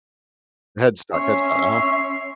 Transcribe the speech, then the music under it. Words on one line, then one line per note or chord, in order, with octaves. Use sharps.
Headstock Headstock, uh-huh.
C#4 C#5 E5 C6